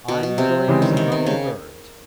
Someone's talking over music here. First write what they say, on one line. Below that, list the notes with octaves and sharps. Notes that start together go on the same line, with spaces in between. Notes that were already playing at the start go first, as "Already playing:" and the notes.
I am going as a humming bird.
B2
B2
C3
C#3 E3 G#3 C4
D#3
C3
C3
C#3